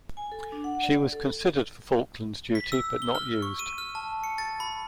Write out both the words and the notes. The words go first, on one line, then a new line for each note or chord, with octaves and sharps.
She was considered for Falklands duty, but not used.
G#5
A4
D4
F#5
D5
A4
B6
E6
G7
F6
C#6
D#7
F6
A5
C#7
A6
B5